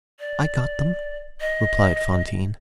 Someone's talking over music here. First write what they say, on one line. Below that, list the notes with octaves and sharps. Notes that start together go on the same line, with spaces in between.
"I got them," replied Fantine.
D5
D#5